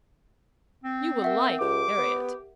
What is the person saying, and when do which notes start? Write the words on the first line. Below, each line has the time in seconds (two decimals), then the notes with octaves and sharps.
You will like Harriet.
0.84 C4
1.22 A#4 E5 F#5
1.61 C#2 G4 D6
1.98 B3